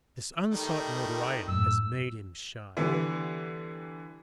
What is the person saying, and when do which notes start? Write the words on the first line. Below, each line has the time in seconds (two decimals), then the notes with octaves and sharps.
This unsought notoriety has made him shy.
0.51 D#3 G3 A3
1.48 F#2 A2 E6
2.77 D3 E3 G3 B3